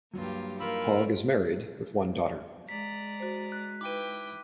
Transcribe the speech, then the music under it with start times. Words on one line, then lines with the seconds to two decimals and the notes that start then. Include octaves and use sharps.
Haug is married, with one daughter.
0.13 G2 F#3 A#3 F4 G4
0.60 A#3 D#4 F4 A#4 B5 E6
2.69 G#3 D5 A#5 B6
3.20 F#4 C5
3.52 F#6
3.81 D#4 E4 B4 G5 D6 D#7